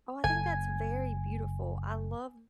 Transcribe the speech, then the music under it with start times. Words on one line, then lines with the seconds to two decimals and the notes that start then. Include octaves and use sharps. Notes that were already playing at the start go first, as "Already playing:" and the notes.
oh, I think that's very beautiful, I love
0.24 F#1 G#5